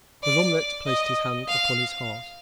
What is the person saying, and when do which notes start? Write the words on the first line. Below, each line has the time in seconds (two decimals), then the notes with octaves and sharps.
De L'Omelette placed his hand upon his heart.
0.23 D5
0.86 D#5
1.48 F5